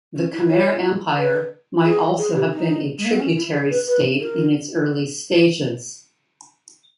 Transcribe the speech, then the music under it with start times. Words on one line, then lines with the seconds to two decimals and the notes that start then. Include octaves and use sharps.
The Khmer Empire might also have been a tributary state in its early stages.
0.16 C#4
0.33 E4
0.50 C#5
1.17 B4
1.85 G#4
2.19 G#4
2.35 G4
2.52 D#4
2.98 G#3
3.05 A#3
3.12 B3
3.20 C#4
3.37 E4
3.54 G#4
3.70 B4
3.87 B4
4.20 A#4